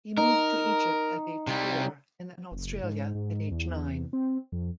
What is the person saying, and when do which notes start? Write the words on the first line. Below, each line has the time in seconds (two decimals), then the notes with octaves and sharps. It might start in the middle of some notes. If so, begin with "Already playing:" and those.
He moved to Egypt at age four and then Australia at age nine.
0.17 D#4 A#4
1.47 C3 G3
2.52 F#1
2.83 G#2
3.15 G#2
3.51 E2
3.92 E2
4.13 C4
4.52 F2